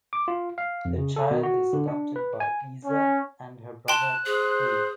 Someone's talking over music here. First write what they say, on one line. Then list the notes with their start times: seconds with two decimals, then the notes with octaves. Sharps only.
The child is adopted by Iza and her brother Creb.
0.13 D6
0.28 F4
0.58 F5
0.85 F2
0.98 C#3
1.16 A4
1.31 B2
1.43 F#4
1.73 D3
1.88 D4
2.16 B4
2.40 G#5
2.85 C#4
3.88 G5 A5 C6 F#6
4.26 G#4 C5